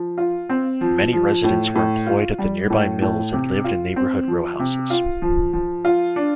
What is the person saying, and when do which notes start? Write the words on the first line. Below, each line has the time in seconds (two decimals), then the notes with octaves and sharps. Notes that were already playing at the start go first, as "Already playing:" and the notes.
Many residents were employed at the nearby mills and lived in neighborhood rowhouses.
Already playing: F3
0.18 F4
0.49 C4
0.81 F3
1.12 F3
1.44 A2
1.75 A2
2.07 F4
2.38 G3
2.70 A2
3.02 A2
3.33 C3
3.64 F4
3.96 C4
4.27 F3
4.59 C3
4.90 F4
5.22 F3
5.53 F3
5.85 F4
6.16 D4